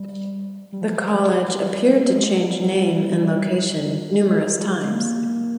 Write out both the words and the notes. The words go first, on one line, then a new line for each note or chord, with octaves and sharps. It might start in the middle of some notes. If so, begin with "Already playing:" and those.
The College appeared to change name and location numerous times.
Already playing: G3
G3
F3
G3
G#3
G3
G3
G#3
F3
G3
G#3
A#3